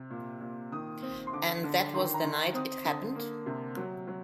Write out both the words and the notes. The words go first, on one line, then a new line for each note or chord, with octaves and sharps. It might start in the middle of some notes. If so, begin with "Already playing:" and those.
And that was the night it happened?
Already playing: C3
A#2
A#2
D#3 D#6
C4
C6
D3 D6
D3
D#3 C6
A#5
D#3
C4 D#6
D3
A#3
C3
F#3
F#3